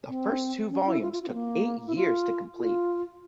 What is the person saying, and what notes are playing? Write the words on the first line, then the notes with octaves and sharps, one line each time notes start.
The first two volumes took eight years to complete.
C4
C#4
E4
F4
F4
F4
C4
A#3
E4
F4
F4